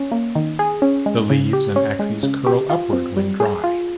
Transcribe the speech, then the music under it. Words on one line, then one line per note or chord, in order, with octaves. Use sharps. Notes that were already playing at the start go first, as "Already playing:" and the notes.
The leaves and axes curl upward when dry.
Already playing: C#4
A#3
D#3
G#4
C#4
G#3
C#3
G4
C#4
G#3
C#3
G4
F4
C4
G3
G#4
F4